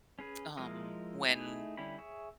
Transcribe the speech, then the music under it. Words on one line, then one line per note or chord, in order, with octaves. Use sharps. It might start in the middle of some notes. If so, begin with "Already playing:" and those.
um, when
C#4 G#4 B4
F3 G#3 E4 A#4 D#5
A3 D#4 E4 G#4
D3 G3 C#4 E4 B5
G#4 C#5 E5